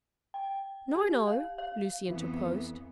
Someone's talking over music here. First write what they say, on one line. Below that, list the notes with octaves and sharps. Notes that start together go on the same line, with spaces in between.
"No, no," Lucy interposed.
G5
G4
F5
F5
F2 E3 B3